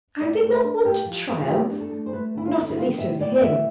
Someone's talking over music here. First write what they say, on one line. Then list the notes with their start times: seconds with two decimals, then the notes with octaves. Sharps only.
"I did not want to triumph;--not at least over him."
0.21 A2 D5
0.42 A3
0.52 E5
0.63 D4
0.85 A2 G4
1.06 F3
1.28 A2
1.39 F4
1.49 A3 G4
1.70 D4
1.80 A4
1.92 A3
2.06 C5
2.13 A3 B4
2.35 D3 E4
2.45 F4
2.56 D3
2.69 E4
2.77 A2 F4
2.98 A2 E5
3.20 A2 D5
3.42 A2 E5